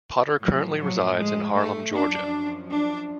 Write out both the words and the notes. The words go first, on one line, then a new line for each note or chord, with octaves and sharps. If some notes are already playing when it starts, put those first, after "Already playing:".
Potter currently resides in Harlem, Georgia.
A2 F3 F#3
F#3
G#3
A3
F#2 F3 D4
D4